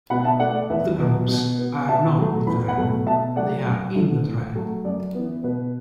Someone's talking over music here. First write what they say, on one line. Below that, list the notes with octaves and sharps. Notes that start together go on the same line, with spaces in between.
The grooves are not the tread, they are "in" the tread.
B2 F#5 B5
E5 A5
A3 D5 F#5
D5
E2 B4 E5
B2 F#3 B3
B2
B3
B2 E5 A5
F#3 A3
E2 B5
F#5 B5
B2 F#3 A3
B2 E5 A5
F#3 A3 D5 F#5
F#2
D3 A3
A2
F#3 A3
F#2 D5
E3 B3
B2 B4